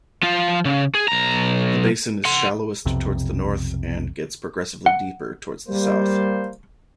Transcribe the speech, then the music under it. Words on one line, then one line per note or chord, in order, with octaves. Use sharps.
The basin is shallowest towards the north and gets progressively deeper towards the south.
F3 F4
C#3
G#4
B1 A#5
F#5 C6
B1 F2 C3
F#5
G3 A#3 C5